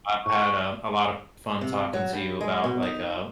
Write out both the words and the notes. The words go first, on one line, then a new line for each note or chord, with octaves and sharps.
I've had, um, a lot of fun talking to you about, like, um,
C#6
C3
F#3
G2
G#3
B2
D#4